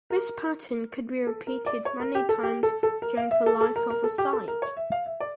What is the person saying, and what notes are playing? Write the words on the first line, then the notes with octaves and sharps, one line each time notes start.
This pattern could be repeated many times during the life of a site.
A#4
A4
A#4
D5
C#5
A#4
G4
A4
G4
A4
A4
A#4
F5
E5
A4
A4
A#4
A#4
A4
G4
A4
A#4
C#5
E5
F5
E5
D5